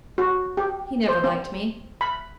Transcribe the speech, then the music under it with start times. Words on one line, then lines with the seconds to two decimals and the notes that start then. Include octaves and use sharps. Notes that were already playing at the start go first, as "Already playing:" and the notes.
He never liked me.
0.18 F#4
0.57 G4
1.08 C5
1.24 C4
2.01 B5